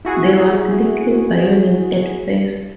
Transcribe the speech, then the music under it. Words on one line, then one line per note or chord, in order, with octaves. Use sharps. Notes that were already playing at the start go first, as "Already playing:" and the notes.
There was little violence at first.
E4 F#4 G#4